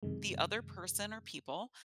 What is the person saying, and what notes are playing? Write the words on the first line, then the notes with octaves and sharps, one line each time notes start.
the other person, or people,
F#2 C3 D#3 G#3